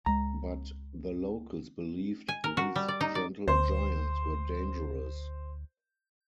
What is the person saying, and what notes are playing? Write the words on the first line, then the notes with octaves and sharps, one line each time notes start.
But the locals believed these gentle giants were dangerous.
C#2 G#3 A#5
G#5
A#4
F#4
G3
D5
D#4
D5
D2 C5